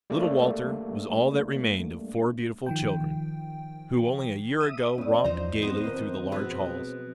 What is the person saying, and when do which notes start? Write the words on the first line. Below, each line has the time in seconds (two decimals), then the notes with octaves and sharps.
Little Walter was all that remained of four beautiful children, who, only a year ago, romped gaily through the large halls.
0.10 G3 A3 A#3 D4
2.66 D#3 F3 G5
4.60 E5 D#6
4.98 F2 B3 C#4 D5
5.24 E2 F3 D#4 C5 A#5
5.62 B3 C4 C5 D#5
5.84 D#3 F3 A#4
6.32 B2 F3 F#3 G#3 B4